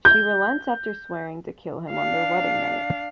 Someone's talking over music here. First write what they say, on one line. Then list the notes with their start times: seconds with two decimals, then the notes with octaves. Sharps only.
She relents after swearing to kill him on their wedding night.
0.05 G6
1.91 D4 F5